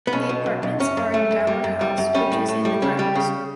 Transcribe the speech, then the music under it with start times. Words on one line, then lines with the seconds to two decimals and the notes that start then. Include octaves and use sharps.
The apartments are in Dower House which is in the grounds.
0.07 B3
0.13 B1 C#4
0.29 B2
0.46 B1
0.63 B1
0.80 F#2 C#4
0.97 F#2
1.14 A3
1.31 F#2
1.47 G3
1.64 F#2
1.81 G3
1.98 F#2
2.15 G3 C#4
2.32 A2
2.48 A2
2.65 G3
2.82 C#3 C#4
2.99 G3
3.15 C#3